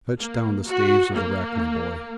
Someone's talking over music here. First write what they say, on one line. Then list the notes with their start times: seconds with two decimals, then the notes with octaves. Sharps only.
Fetch down the staves of the rack, my boy.
0.19 A#3
0.66 F#4
1.14 A#3